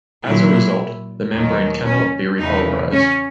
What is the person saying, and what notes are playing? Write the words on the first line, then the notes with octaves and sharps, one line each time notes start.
As a result, the membrane cannot be repolarized.
A#2 F#3 E4
D#2 D#3 F#3
C#4
E2 C#3 E3 D#4
C#4